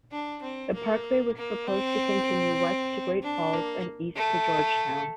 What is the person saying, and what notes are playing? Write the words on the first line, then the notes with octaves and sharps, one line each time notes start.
The parkway was proposed to continue west to Great Falls and east to Georgetown.
D4
C4
A#3
A#3
C4
D4
A#3
A3